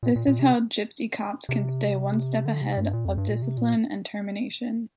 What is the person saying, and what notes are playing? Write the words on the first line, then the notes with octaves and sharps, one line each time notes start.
This is how gypsy cops can stay one step ahead of discipline and termination.
A#2
A#2
A#2
C3
C3
D3
C3
G2
A#2
F2
G2
A#2
C3
A#2